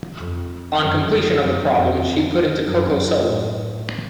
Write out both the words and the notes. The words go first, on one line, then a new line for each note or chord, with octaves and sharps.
On completion of the problem, she put into Coco Solo.
F2
F#2
F#2
F2
F#2
A2